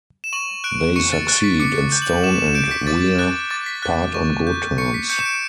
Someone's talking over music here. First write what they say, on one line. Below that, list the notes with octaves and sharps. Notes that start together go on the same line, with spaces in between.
They succeed, and Stone and Wier part on good terms.
E7
C#6 F#7
F#6 D7
C#6 C#7
A6
F#6 A6
B6
D6 C#7
G6
F#7
F#7
D6 E7
E7
G6 D7
B6
D6 A6
F#6 A6
D6 A6
B6
F#6 A6
C#6
G6
C#6 C#7
B6
G6 C#7
E7
D7